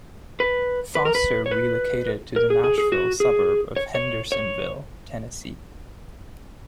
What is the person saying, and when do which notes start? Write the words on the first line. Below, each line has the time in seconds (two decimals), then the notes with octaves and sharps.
Foster relocated to the Nashville suburb of Hendersonville, Tennessee.
0.40 B4
0.95 B4
1.05 A#4
1.15 B4
1.46 C#5
1.51 B4
2.36 A#4
2.50 G#4
2.64 G#4
2.78 G#4
2.92 F#4
3.20 G#4
3.76 C#5
3.95 C#5
4.32 C#5